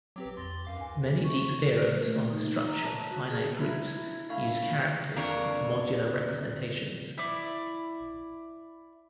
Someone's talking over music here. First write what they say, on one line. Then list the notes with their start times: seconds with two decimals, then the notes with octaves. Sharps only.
Many deep theorems on the structure of finite groups use characters of modular representations.
0.16 F#3 C4 G4 B4 D6
0.37 F2 C6 A6 A#6
0.65 F#2 F5 D6
0.76 D#2 G#5
1.24 C#6
1.66 D5
1.86 A#4
2.01 A3
2.30 D#4
2.67 A#5
2.84 A5
3.10 F#4
3.30 G#4
3.57 E4 A#5
4.29 A3 D4 F5 B5
5.16 F2 A#3 D4 C#5
7.18 E4 D5